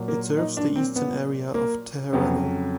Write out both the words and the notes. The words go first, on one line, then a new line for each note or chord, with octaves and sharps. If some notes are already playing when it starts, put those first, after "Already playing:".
It serves the eastern area of Teheranno.
Already playing: A#2 F#3
A#3
D#4
D4
C4
B3
A#3
F2 C#3 F#3 B3